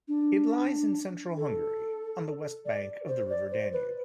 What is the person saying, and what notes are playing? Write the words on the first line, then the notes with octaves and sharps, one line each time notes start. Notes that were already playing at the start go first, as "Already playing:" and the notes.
It lies in central Hungary, on the west bank of the river Danube.
D4
A4
D5
C5
D5
C5
B4